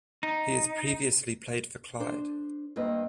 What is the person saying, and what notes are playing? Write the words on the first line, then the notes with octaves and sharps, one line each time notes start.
He has previously played for Clyde.
D#4
D4 C5
G2 A#3 C4 B4 D#5